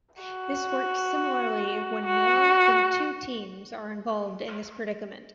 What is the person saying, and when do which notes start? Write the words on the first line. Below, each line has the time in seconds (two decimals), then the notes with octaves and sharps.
This works similarly when more than two teams are involved in this predicament.
0.22 F#4
2.06 F#4